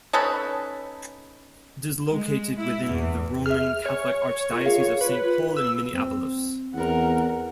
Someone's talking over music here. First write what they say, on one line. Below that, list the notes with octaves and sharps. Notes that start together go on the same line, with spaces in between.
It is located within the Roman Catholic Archdiocese of Saint Paul and Minneapolis.
C#4 D#4 A4 B4
G#3
E4
E2
G#4 E5 F6
C#5 E5 G#5
F4 A#4
G#4 A#4 F5
B4
E6
C4
E2 A#4 F#5